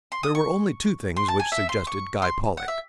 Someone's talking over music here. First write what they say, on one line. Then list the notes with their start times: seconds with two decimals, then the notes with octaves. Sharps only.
There were only two things which suggested Guy Pollock.
0.12 C6
0.23 D#6
0.35 C#6
1.16 C6
1.28 A5
1.40 G#5
1.52 E5
1.69 C6
1.87 C#6
2.22 C6
2.57 F#5
2.68 E5